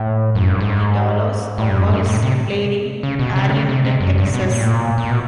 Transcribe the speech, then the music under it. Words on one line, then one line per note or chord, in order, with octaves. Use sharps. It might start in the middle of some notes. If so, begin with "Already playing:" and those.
The Dallas Cowboys play in Arlington, Texas.
Already playing: A2
F#2
G2
G#2
A2
G2
F#2
G2
A2
C3
C#3
B2
C3
D3
C#3
C3
C3
F#2
G2
B2
A#2
A2
A#2
A#2
B2